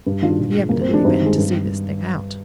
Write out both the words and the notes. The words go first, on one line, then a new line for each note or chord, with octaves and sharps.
He evidently meant to see this thing out.
G2
D#3 G3 D4 F4
A#2
G#3
G2 A#3
C4
F3 G#3 D4
G2 C4 D#4
D#3 G#3
G2